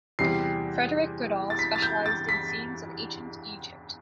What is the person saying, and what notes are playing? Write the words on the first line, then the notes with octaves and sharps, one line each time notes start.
Frederick Goodall specialized in scenes of Ancient Egypt.
E2 C3 G3 C4 C7
A6
B6
A6
G6
A6
B6